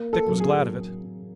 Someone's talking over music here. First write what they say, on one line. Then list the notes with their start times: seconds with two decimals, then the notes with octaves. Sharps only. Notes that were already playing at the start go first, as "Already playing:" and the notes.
Dick was glad of it.
Already playing: A#3
0.13 A4
0.26 F#3
0.40 G#4